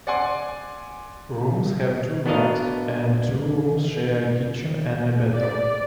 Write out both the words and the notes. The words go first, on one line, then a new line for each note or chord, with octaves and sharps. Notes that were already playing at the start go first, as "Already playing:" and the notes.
Rooms have two beds and two rooms share a kitchen and a bathroom.
D5 F#5 G#5 C6 D6
B3 D4 F#4 A#4 D#5 F5
D5